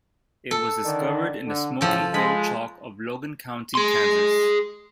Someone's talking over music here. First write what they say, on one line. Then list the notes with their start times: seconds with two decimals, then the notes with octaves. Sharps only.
It was discovered in the Smoky Hill Chalk of Logan County, Kansas.
0.51 A4
0.85 D3 D#3 D4
1.46 D3
1.81 C#2 A2 F3 A4
2.14 F3 G#3 B5
3.75 G#4 C6